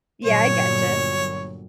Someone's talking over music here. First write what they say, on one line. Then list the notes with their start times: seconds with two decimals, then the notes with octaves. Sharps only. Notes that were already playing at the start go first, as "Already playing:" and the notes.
Yeah, I gotcha.
0.25 G1 A#2 F#3 C#5